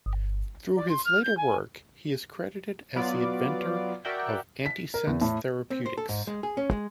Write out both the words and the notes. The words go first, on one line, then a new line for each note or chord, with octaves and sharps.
Through his later work, he is credited as the inventor of antisense therapeutics.
G1
D5
C6
F6
G6
G#5
F#3 B3 F4 D5
F#4 A#4 D5 E5 F#5 G5
B6
A#4
E2
A2
C4
C5
A4
G#2
G#3
G#4
C#4
G#3